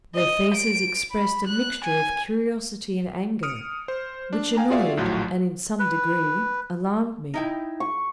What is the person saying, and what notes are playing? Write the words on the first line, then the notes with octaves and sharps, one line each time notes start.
Their faces expressed a mixture of curiosity and anger, which annoyed and in some degree alarmed me.
D#5
D7
B5
F#6
G#5
D#6 F6 C#7 D7
C5
D4
F5 G5 G#5 A#5
F4 F#4 G#4 D5 E5 F5
A#1 D#2 A2 F3 F#3
B4
D#4 E4 G5
C#6